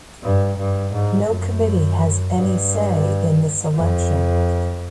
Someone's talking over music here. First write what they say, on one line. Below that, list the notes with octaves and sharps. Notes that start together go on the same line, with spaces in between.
No committee has any say in the selection.
G2
G2
G#2
F#2
G2
F2